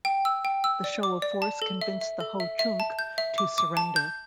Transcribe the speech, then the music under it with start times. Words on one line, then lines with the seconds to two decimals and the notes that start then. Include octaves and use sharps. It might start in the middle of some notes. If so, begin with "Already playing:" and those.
The show of force convinced the Ho-Chunk to surrender.
0.05 G5
0.25 E6
0.45 G5
0.64 E6
0.84 D5
1.03 D6
1.22 D5
1.42 A5
1.62 A4
1.81 E5
2.01 E5
2.20 A4
2.40 E5
2.59 E5
2.80 A5
2.99 G6
3.18 E5
3.38 D6
3.58 D6
3.77 A5
3.96 G6